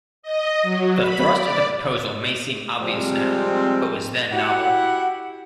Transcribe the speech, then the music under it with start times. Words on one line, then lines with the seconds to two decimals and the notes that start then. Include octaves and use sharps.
The thrust of the proposal may seem obvious now, but was then novel.
0.23 D#5
0.63 F#3
0.98 B5
1.34 D5
2.81 C3 F3 G3 G#3 C4
4.32 E4 F#4 G4 F#5